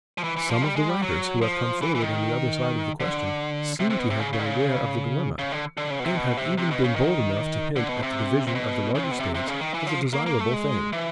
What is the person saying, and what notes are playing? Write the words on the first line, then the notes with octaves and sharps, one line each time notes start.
Some of the writers who have come forward on the other side of the question seem to have been aware of the dilemma; and have even been bold enough to hint at the division of the larger States as a desirable thing.
F3
E3
E3
F3
G3
G#3
G3
F#3
F3
E3
E3
D#3
D3
C3
C3
B2
C3
C#3
C#3
D3
C#3
C#3
D3
D3
C#3
B2
C3
B2
C3
C3
B2
C#3
D#3
D3
B2
C3
C3
B2
C#3
C3
B2
C3
C3
C#3
D#3
E3
F3
A#3
A#3
A3
G#3
E3